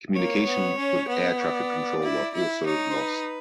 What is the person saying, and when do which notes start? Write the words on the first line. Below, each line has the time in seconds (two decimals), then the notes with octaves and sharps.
Communications with air traffic control were also lost.
0.15 A#3 C#5
0.47 B3
0.78 C#4
1.09 B3
1.40 D5
2.03 E4
2.34 E4
2.66 D#4 C#5
2.90 C5
2.97 B4